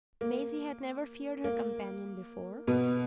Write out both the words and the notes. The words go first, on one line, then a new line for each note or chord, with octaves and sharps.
Maisie had never feared her companion before.
A#3
A#3
B2 B3